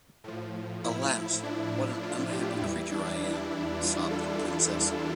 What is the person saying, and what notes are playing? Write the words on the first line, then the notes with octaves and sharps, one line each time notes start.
"Alas, what an unhappy creature I am!" sobbed the princess.
A2 F3
E4
D4
E4
F4
G4
E2 E3 G3 E4
D4
E4
E4
F4
A4